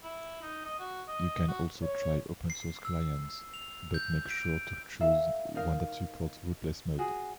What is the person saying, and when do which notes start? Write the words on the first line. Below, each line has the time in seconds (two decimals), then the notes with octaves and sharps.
You can also try open source clients, but make sure to choose one that supports rootless mode.
0.04 E4
0.42 D#4
0.65 D#5
0.79 F#4
1.08 D#5
1.48 F#4
1.82 C#5
2.50 C7
2.85 E6
3.54 F7
3.94 G6
4.31 D7
5.00 A4 E5 F5 A#5
5.55 D#4 A#4 F5
6.99 F#4 G#4